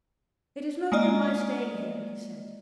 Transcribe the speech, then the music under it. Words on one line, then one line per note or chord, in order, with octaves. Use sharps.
"It is no good my staying here," he said.
G#3 A#3 D5 D#5